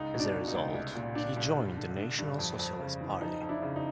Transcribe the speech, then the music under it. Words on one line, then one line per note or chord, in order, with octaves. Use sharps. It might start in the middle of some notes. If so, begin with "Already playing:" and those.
As a result, he joined the National Socialist Party.
Already playing: C#2 D#4
B2
D4
B2
D#4
C#2
C2
A#2
A#2 D4
C2
G2
D3
D3
G2
F2
F2
C#3
E3
F2 D#4
F2
D4 E4
C#3
D#4